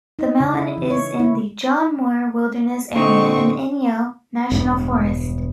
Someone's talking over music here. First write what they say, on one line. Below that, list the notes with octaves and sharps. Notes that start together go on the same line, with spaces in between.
The mountain is in the John Muir Wilderness Area in the Inyo National Forest.
D#4
C#3
E4
E3
C#5
E4
A#2 D3 C4 D#4 C#6
E1 G2 B3